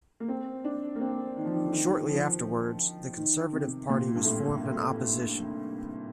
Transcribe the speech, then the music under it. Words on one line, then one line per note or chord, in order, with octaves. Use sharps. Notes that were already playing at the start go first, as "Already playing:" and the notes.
Shortly afterwards, the Conservative Party was formed in opposition.
A#3
C4
D4
A#3
C4
D#3
F3
D#3
D3
D#3
F3
D#3
C3
A#2
G2
A2